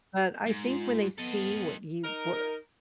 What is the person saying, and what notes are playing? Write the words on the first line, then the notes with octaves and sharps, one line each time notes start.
But I think when they see what you we
G#2
F4
B3 A4 D#5
D#4 A#4